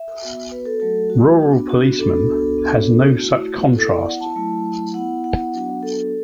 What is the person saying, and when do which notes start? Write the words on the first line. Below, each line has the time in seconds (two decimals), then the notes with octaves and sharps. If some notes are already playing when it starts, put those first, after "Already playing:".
"Rural policeman" has no such contrast.
Already playing: E5
0.22 B3 F#4
0.51 B4
0.66 A4
0.80 F#3 A3 F#4 A4
1.10 F#4
1.40 B3 D4 F#4
1.69 F#4
1.98 B3 D4 F#4 A4
2.58 B3 D4 F#4
3.17 A3 E4 F#4
3.76 B3 E4 A4
3.91 D5
4.06 F#5
4.21 A5
4.35 F#3 A3 E4
4.94 B3 E4 F#5
5.24 F#5
5.54 F#3 B3 D4 F#4
5.83 A4